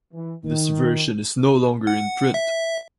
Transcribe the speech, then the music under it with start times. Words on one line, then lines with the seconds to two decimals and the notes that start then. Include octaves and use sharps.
This version is no longer in print.
0.13 E3
0.44 D#3
1.87 F#5
2.34 E5